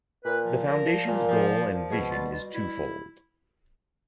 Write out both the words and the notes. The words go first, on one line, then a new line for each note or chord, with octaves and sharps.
The Foundation's goal and vision is two-fold.
A#2 B4
F3
A#2 A#4
F3
A#2
F3
A#2
F3
B2 G#4
G3 F4
B2 F4
G3 E4